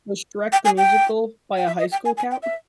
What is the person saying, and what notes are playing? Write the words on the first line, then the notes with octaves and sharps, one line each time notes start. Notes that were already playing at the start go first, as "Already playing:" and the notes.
Was Shrek the musical, by a high school, count?
G5
G#5
G5
G5
E5
D#5
G5
G#5
G#5
G5
E5